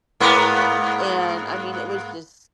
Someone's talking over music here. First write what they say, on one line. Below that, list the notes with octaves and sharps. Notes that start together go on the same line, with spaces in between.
and I mean, it was just
G#2 A#3 B3